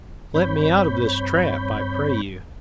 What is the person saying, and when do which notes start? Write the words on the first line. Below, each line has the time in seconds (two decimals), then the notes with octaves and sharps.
Let me out of this trap, I pray you.
0.34 G2 C4 C#5 B5 G6